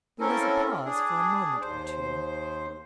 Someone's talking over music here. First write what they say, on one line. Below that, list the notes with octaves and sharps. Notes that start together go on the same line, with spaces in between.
There was a pause for a moment or two.
A#3 C4 C#4 E4 A4 A#4
D4 G#4
D#2 C5